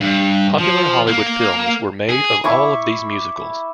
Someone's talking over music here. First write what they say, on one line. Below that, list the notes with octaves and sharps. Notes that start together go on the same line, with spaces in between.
Popular Hollywood films were made of all of these musicals.
G2
F3
A#3
G#4
E4 C#6 D6